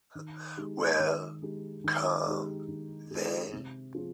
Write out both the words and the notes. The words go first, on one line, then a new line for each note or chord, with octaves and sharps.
Well, come, then.
D#3
G#3 D#4 G4
D#3
G#3 D#4 G4
D#3
G#3 D#4 G4
D#3
G#3 D#4 G4
C3
F3 C4 F4 G#4